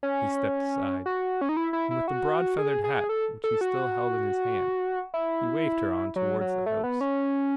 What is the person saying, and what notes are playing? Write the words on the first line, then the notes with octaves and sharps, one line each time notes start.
He stepped aside, and with the broad feathered hat which he still held in his hand, he waved her on towards the house.
C#4
F#4
C#4
D#4
E4
E4
E4
F#4
G#4
G#4
A4
A4
F#4
E4
F#3
F#3
A3
B3
C#4